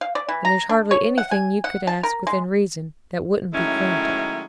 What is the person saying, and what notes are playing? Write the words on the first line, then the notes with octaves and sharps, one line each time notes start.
"And there's hardly anything you could ask, within reason, that wouldn't be granted."
F5
D5
E3
A#5
D4
C#5
F#5
G#5
F#5
A5
A#4
G#3
D#3 F#3 G#3 A3 C#4 E4